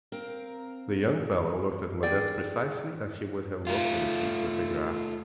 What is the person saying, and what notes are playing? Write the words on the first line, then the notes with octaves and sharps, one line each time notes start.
The young fellow looked at Modeste precisely as he would have looked at a cheap lithograph.
C4 A#4 F5
D#3 G#4 D5 G5
A3 F4